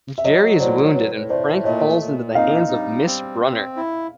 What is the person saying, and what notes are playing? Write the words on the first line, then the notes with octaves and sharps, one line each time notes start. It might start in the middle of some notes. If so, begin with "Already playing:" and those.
Jerry is wounded, and Frank falls into the hands of Miss Brunner.
E5
F#3 C#5 D#5
A2 C5 D5
A2 B4 C#5
A3 C5 D5
A#2 C#5 D#5
A#2
D#4 D#5 F5
G3
C4
C4
E4